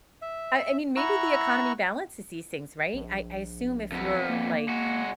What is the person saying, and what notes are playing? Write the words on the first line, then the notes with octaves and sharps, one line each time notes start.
I I mean, maybe the economy balances these things, right? I I assume if you're like
E5
E4 F#5 A#5 C#6 E6
A#1
F2 B3
A#3
G#3 F#4